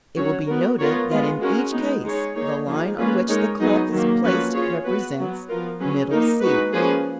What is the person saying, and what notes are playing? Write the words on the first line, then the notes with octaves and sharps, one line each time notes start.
It will be noted that in each case the line on which the clef is placed represents "middle C."
F#3 C#4 F#4 C#5
B3 F#4 A#4
B3 F4 A#4 C#5
G#3 B3 F4
G#3 C#4 F#4 A#4
G#3 B3 D#4
G#3 D#4 G#4 C#5
A#3 D#4 G#4 C#5
F3 A#3 D#4 G#4
A#3 C#4 F4 G#4 B4
G#3 D#4 A#4 C#5
F#3 B3 D#4 G#4
D#3 F#3 A#3
F3 A#3 C#4 F#4 B4
C#4 F4 G#4 C#5
B3 F#4 B4
F#3 B3 F#4
F3 B3 F4 A#4
F#3 C#4 G#4 B4
D#3 A#3 D#4 A#4
G#3 D#4 F#4 B4
F3 A#3 C#4 G#4 B4